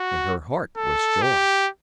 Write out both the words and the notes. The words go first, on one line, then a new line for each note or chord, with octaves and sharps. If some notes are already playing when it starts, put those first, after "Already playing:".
In her heart was joy.
Already playing: F#4
A4
G4